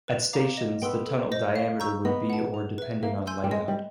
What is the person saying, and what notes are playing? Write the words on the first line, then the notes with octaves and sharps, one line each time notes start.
At stations, the tunnel diameter would be or depending on layout.
B4
D5 F5 A#5 D6
D#5
B3 G5 C6 E6
A4
C5 D#5
F5
A#5 C#6 E6 G6
B3 D#5
F#5 A5
G#4
B4 E5
A#3 E5
G#5 C6 E6 G6
G3
G#3 D#5
G3